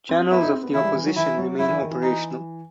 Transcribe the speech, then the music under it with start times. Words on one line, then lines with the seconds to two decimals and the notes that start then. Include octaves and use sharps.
Channels of the opposition remain operational.
0.09 C4
0.31 B3 E4
0.42 D#4
0.52 C4
0.63 B3
0.74 E3 E4
0.84 G3
0.95 E3
1.06 F#3
1.16 E3 E4
1.38 F#3
1.59 F#3 E4
1.69 E3
1.81 D#3
1.91 E3
2.02 D#4